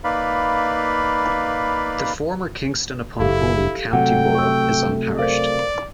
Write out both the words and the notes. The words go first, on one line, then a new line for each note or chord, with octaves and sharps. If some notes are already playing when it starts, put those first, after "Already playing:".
The former Kingston upon Hull County Borough is unparished.
A#3 D#4 B4 D5 F5 B5
F#1 E4 G4 A4 F5
C3 F#3 A3 F#5 G5
C#6 E6
A#4 C5 D5 F5